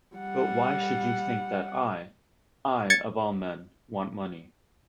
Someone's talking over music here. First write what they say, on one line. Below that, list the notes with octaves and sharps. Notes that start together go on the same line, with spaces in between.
But why should you think that I — I, of all men — want money?
G3 F#5
G#6 A6 C#7